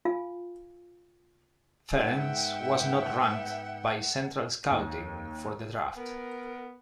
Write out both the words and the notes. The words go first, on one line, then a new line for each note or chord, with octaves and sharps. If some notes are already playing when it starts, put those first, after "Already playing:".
Ference was not ranked by Central Scouting for the draft.
F4 F5 G#5
G#2 B3 E5 F#5 G5 E6
D#2
B3 A#4